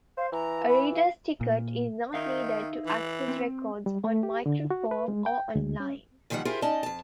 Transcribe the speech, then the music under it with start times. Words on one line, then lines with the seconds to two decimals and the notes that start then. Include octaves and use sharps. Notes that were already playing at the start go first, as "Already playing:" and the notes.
A reader's ticket is not needed to access records on microform or online.
0.17 C5 F5
0.32 E3 A#5
0.69 B5
0.95 F5
1.41 A#2
2.14 D#3 D#4 E5 F5
2.86 E3
3.28 C4
3.86 G3
4.04 A3
4.23 G4
4.46 D3
4.70 F#4
4.91 B4
5.08 G#3
5.26 G5
5.55 D2
5.80 C#4
6.30 A#2 D#3 F3 G3 F#5
6.45 E4 F4 G4 G#4 A#4 C5
6.62 C#4 D#4 D5 D#5 A5
6.83 F2 A5